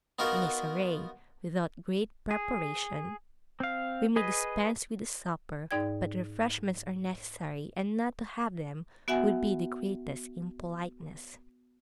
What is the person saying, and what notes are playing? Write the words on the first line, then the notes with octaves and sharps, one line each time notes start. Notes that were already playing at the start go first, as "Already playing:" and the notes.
In a soiree without great preparation, we may dispense with a supper, but refreshments are necessary; and not to have them would be the greatest impoliteness.
B3 D#4 F4 F#4 A#4
G#4
C4 F5
G#4 B4 D#5
G#2 D#4 D5 G5 G#6
B3 F#4 E5 F#5 G#5